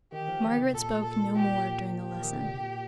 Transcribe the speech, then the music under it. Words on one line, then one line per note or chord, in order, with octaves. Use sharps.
Margaret spoke no more during the lesson.
D#3 G4
F3
D#3
C3
A#2 A4
A4
G4
G4
F3
D#3
D3
C3
A#2